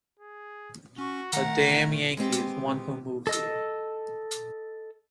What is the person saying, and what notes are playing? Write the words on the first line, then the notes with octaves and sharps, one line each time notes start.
A damn Yankee is one who moves here.
G#4
C#4 F#4 C#6
D#3 A3 F#5 A#5
G#3 B3 C4 G4
A4 D#5 E6